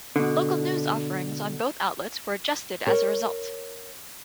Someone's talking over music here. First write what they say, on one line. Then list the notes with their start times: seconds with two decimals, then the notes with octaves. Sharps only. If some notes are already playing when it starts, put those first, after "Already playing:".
Local news offerings on both outlets were adjusted as a result.
0.16 B2 D3
2.87 A#4 C#5